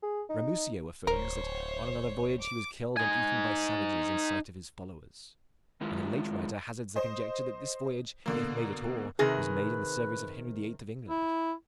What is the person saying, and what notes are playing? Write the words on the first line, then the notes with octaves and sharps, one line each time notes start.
Ramusio affirms, that, on another voyage, he was killed and eaten by savages, in sight of his followers; and a late writer hazards the conjecture that this voyage, if made at all, was made in the service of Henry the Eighth of England.
G#4
D#4
D1 A#4 C5 C#5
D6
D#4 G#5
D#3 G#3 E4 F4
C5 D#5
B2 D3 A#3
C3 D#3 G#4 B4
E4